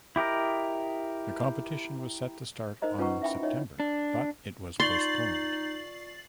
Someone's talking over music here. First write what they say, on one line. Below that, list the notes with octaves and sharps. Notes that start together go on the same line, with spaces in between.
The competition was set to start on September but it was postponed.
E4 G4 A#4 D#5
D#4 A#4 C5 D#5 A#5
C#4 F4 B4 F#5 A#5 C#6
E4 E5 G5 B5
D#4 C#5 D#5
D4
D#4 F4 D5 C6 C#6 A6 C7 F#7